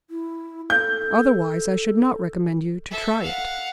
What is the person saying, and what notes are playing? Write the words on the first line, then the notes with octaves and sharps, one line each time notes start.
Otherwise I should not recommend you to try it.
E4
A4 G6
A4 E5
F5 F#5